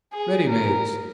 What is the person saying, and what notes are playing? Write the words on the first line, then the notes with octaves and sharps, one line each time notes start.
Ready mades.
G#4
A#4